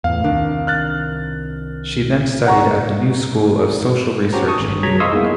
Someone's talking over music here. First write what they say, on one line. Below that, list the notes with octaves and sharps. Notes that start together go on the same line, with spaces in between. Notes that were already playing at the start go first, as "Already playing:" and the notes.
She then studied at the New School of Social Research in New York.
E2 A2 F5
C2 D#3 D4
F6 F#6 A6
F#5 A#5 C#6
C#4 F#4 G4 C5 A#5
A5 C#6 D#6
G#1
C2 F#3 G#4 A#5 G#6 B6
D#5 F5 C6 C#6 D#6 E6
G#3 A#3 B3 D#4 E4 G#4